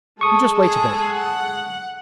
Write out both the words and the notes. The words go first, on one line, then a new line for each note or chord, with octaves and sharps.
You just wait a bit.
G#3 A4 C#6 D#6
G#4
F#5